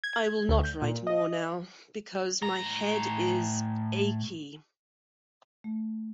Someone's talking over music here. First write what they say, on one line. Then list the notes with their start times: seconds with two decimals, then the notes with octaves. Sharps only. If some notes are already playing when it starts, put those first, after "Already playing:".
I will not write more now, because my head is achy.
0.04 G#6
0.49 D2
0.63 G6
0.82 A#2
1.07 D#5
2.42 A2 A#5
5.64 A3